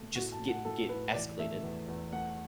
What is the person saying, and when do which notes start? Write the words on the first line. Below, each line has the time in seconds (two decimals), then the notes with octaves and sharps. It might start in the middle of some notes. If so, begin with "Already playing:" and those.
just get get escalated,
Already playing: A3
0.16 A2 F#4
0.32 A5
0.40 A2
0.48 F#5
0.65 A2 A4
0.89 A2 B4
1.14 E3 D5
1.39 A3 E5
1.63 E2
1.88 E2
2.12 A3 F#5